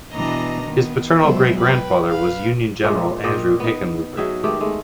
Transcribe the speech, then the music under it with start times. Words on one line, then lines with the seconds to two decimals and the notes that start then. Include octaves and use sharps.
His paternal great-grandfather was Union general Andrew Hickenlooper.
0.13 B2 E3 B3 D4 D#5 A#5
0.64 D#3 B3
1.19 F#3 G#3 B3 C5 E5
1.58 B4 G5
2.10 B4 F5
2.83 A#2 G#3 A3
3.23 A#2 D5 D#5 G5
3.60 B3 D#4
4.17 F#3 D#4 G#4 E5
4.43 D#3 G#3 A3 G4
4.60 G#3 A3